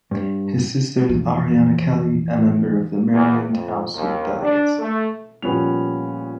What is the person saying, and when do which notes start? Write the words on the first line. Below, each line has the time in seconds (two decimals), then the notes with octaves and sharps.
His sister is Ariana Kelly, a member of the Maryland House of Delegates.
0.11 G2
1.09 F2 E3
3.14 E2
3.49 F2
3.94 D#2
4.42 D4
4.78 A3
5.42 A#2 F3 G3 B3 C#4 F7